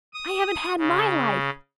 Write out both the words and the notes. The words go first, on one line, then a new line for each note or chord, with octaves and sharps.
I haven't had my life.
D#6
C#3